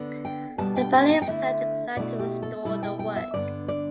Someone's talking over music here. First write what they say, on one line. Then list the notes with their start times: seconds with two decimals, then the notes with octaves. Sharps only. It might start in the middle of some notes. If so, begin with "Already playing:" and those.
Dobell himself declined to restore the work.
Already playing: D3 B3 D4
0.25 G5
0.58 B2 G3 B3 D4 A5
0.77 G5
0.94 G5
1.10 G5
1.22 G5
1.27 D3 A3 E4 E5
1.96 B2 A3 E4 D5
2.19 G4
2.43 A4
2.65 B2 G3 E4 A4
2.83 G5
2.99 G5
3.16 E5
3.34 G2 D3 B3 D4 D5
3.68 D5